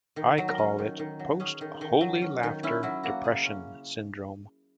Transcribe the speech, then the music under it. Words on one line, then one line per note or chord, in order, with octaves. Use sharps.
I call it post-Holy Laughter depression syndrome.
D#3
F#3
A#4
C#4
D#3
D#3
F#3
C#4 G#4
D#3
D#3
F#3
C#4
D#3
C#4 E4
F#3 E4
A#3 F#4
C#3 G#4
C#4